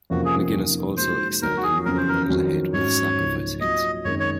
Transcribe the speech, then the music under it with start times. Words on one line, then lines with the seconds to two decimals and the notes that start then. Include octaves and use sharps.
McInnis also excelled in moving runners ahead with sacrifice hits.
0.10 F2 C3 F3 A#3 C#4 F#4
0.25 G#4
0.54 C3 F3 A#3 D#4
0.97 A#2 G#3 D#4 F#4 C5
1.42 D#2 D#3 F#3 A#3 A#4
1.57 F#4
1.63 G#4
1.85 F2 C#3 F#3 C#4 A#4
1.97 C5
2.09 A#4
2.29 F2 D#3 F#3 C4 F#4
2.73 G#2 F#3 C#4 F#4 C#5
3.17 C#2 C#3 F3 A#3 D#4
3.61 A#2 F#3 C4 F4 D#5
4.05 F#2 D#3 G#3 C4 D#4 C#5
4.20 C#5